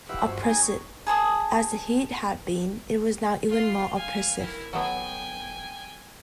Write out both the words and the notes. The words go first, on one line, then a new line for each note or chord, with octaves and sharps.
Oppressive as the heat had been, it was now even more oppressive.
E4 F4 G4 B4 E5 F#5
G2 F#4 C5
D#4 G#4 G5 G#5 A#5
C#5
G#4 A5 C6 D#6
F4 C6
F5 G#5
E4 A#4
F#3 A3 B3 G5 G#5